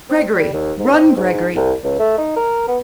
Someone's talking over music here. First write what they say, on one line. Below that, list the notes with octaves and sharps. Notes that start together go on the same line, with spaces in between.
Gregory! run, Gregory!
C4
G3
D#2
G#2
C4
G#2
C2
C#2
A3
D#4
A#4
B3